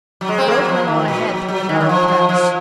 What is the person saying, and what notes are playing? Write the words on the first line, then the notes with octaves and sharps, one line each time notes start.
The road went on ahead through a narrow pass.
F#3
G#3
C4
A#3
F#3
F3
D#3
A#2
F#3
F#3
D#3
D#3
F3
F3
F3